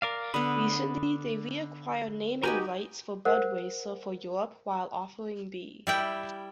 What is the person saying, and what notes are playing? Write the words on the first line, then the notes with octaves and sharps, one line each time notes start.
Recently, they reacquired naming rights for Budweiser for Europe while offering B.
A#4 D5 F5
D3 B3 B5 D#6
D#4 F#4 G4 A#4 B4 G#5
A#4 C5 F#5
G3 E4 G5